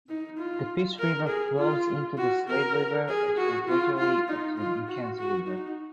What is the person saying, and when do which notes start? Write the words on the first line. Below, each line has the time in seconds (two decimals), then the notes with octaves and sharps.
The Peace River flows into the Slave River, a tributary of the Mackenzie River.
0.09 D#4
0.38 F4
0.99 A#4
1.28 G#4
1.58 F4
2.18 F#4
2.49 A#4
3.08 G#4
3.38 F#4
3.68 F4
3.98 F4
4.29 D#4
4.58 F4
4.89 F#4
5.18 F#4
5.48 D#4